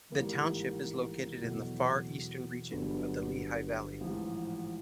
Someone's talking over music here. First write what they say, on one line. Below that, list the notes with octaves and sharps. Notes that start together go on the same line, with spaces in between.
The township is located in the far eastern region of the Lehigh Valley.
A1 G#2 D#3 G3 A#3
E2 B2 F#3 A3
G1 G2 D3 F#3 B3
A1 G#2 F3